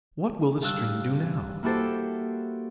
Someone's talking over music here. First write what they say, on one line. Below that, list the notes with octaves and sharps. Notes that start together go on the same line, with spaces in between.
What will the stream do now?
G2 F5 E6 F#6
A#3 E4 F#4 G4 A4 C5